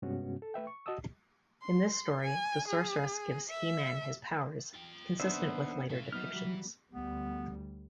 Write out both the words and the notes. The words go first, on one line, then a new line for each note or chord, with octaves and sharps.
In this story, the Sorceress gives He-Man his powers, consistent with later depictions.
G2 C3 G#3 B3 C#4 F#4
A4
A3 B4 E5 G5
C#6
F#4 D#5 A5 D#6 E6
C6
G#5
G#4
E5
F4 G5
A#2 D#3 B3 D4 D#4 C5 D5 E5
A2 C#3 E3 F4 E5
F#3 B3 D#4 F6
F#3 G3
D2 G3 B3